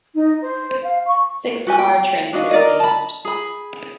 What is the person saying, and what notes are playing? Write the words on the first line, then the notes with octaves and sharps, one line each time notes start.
Six-car trains are used.
D#4
C5
F5
C#6
F#4 G4 G#5
G5
D4 F#4 D#5 F5
A#4 D5 D#5
A5 B5
G#4 B5